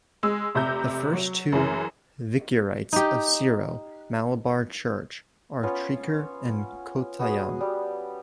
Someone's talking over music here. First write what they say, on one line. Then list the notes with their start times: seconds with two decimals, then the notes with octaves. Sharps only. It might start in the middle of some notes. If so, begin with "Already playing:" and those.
The first two Vicariates of Syro Malabar Church are Trichur and Kottayam.
0.23 G#3 E6
0.55 F1 C3 E5 A#5 G6
1.13 F#3
1.52 F#2 C#3 E3
2.93 D#4 G4
5.63 B3 C#4 F4 C#5
7.19 B3 F#4 G#4
7.61 G3